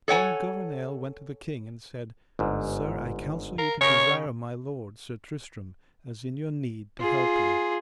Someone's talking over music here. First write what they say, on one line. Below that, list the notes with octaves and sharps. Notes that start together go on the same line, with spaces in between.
Then Gouvernail went to the king and said: Sir, I counsel you to desire my lord, Sir Tristram, as in your need to help you.
A4 C#5 F#5 G#5
G1 G#2
A#4 F5
C#3 G4 A#4 C#5
F4 G#4